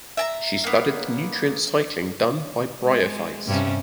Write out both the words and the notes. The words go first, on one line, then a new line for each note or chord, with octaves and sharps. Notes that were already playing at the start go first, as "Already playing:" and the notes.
She studied the nutrient cycling done by bryophytes.
E5 A5 A#5
A#3 B3
G#3
G2 C3 C#4